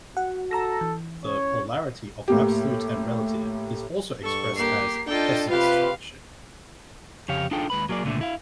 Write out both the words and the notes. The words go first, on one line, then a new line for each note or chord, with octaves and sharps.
The polarity of absolute and relative is also expressed as "essence-function".
F#4 F#5
A4 A#5 E6 A#6
E3
C#4 C#5
A2 A#3 G4
G2 A4 C#6
A#3 G4 C7
D4 F4 A4 D#5 G5
C3 F4 G4 B4 F5
F2 C#3 G4 C#5 F5
D4 D#4 F4 G#4 A4 G5
D#2 G#3 B4 B5
F#3 A#3 G#4 D5
C#2 A#2 D3 A3
E4 F5